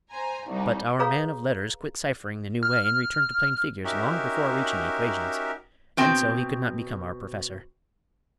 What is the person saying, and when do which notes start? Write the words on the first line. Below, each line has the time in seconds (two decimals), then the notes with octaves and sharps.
But our man of "letters" quit cyphering the new way, and returned to plain figures long before reaching equations; and so he could not become our professor.
0.11 C5 G#5 A#5
0.48 C2 G3 D#4
0.99 G#4 A4 B4 C#5 F5 A#5
2.63 F6
3.84 C#4 D#4 F#4 G4 A#4 E5
5.97 B2 C4 G5